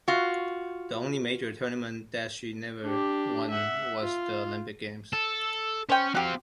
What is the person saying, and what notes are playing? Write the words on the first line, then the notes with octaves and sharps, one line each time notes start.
The only major tournament that she never won was the Olympic Games.
F4 F#4
D4 G4
E5 F#5
F4
A4
C#4 C5 G5
C4 F#4 G4 F5